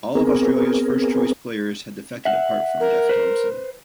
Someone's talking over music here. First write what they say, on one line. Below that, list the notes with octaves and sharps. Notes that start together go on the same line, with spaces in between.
All of Australia's first-choice players had defected apart from Jeff Thomson.
B3 C4 G#4 A#4
E5 F#5
A#4
B4 C5